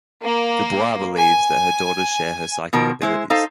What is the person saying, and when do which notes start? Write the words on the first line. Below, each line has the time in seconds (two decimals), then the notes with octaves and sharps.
DuBois believes that her daughters share her psychic abilities.
0.23 A#3
1.19 G#5
2.73 B2 D#3 F3 A#4
3.02 G#3 E4 C5
3.30 D#4 A4 C5 F5